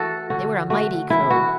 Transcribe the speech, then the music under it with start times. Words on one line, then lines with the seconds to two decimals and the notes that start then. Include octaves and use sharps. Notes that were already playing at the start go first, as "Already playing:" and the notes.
They were a mighty crew.
Already playing: E3 A3 F#4 A4
0.30 D3 F#4
0.70 A3 F#4
1.10 E3 E4
1.30 F#4